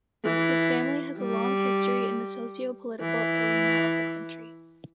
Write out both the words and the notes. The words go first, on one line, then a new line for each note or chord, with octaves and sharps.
His family has a long history in the socio-political arena of the country.
E3
G3
E3